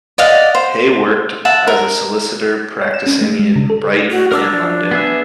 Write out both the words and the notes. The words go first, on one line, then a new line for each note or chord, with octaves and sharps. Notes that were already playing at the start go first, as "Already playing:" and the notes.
Hay worked as a solicitor practicing in Brighton and London.
D5 D#5 F5 F#5
C5
E5 F#5 A5
A#4
C#5
E7
C#4
A3
G#3
C#3
A4
F#4
D4 A#4 D6 E6
F3
B3 G#4 E5